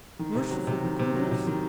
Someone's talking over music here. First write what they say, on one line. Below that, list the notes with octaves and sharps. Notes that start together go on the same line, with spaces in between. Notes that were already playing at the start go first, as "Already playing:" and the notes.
"Merciful goodness!"
D#3
C3
F#3
C3
D#3
C3
F#3
C3
D#3